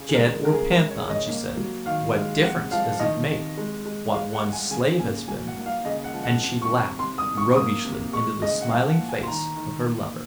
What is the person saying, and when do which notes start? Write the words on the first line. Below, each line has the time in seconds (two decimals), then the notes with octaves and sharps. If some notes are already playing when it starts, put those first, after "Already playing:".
"Jed or panthan," she said; "what difference does it make what one's slave has been?" and she laughed roguishly into the smiling face of her lover.
Already playing: C#3
0.09 G#4
0.15 G#3 A#4
0.43 C#3 A#4
0.53 G#4
0.72 G#3 A#4
0.91 C#5
1.00 C#3
1.10 D#5
1.29 A#3
1.57 F#3
1.86 D#3 F5
2.15 G#3
2.43 C3 F#5
2.71 F3 F5
3.00 D#3 D#5
3.29 C3
3.58 G#3
3.85 G#3
4.14 G#3 F5
4.33 F#5
4.43 G#3
4.53 G#5
4.71 C#3 G#5
5.00 A#3 G#5
5.28 F#3 G#5
5.47 F#5
5.56 A#3
5.66 F5
5.85 C#3 D#5
6.04 F#5
6.14 F3
6.23 F#5
6.42 C3
6.62 C#6
6.71 C3
6.99 C3 C6
7.18 D#6
7.28 C3
7.37 C#6
7.56 A#3 D#6
7.85 C3
8.13 G#3 C#6
8.42 C#3 D#5
8.61 F#5
8.70 F3 F5
8.89 F#5
8.99 A#2
9.09 G#5
9.23 C6
9.27 D#3 A#5
9.56 D#3
9.84 A#2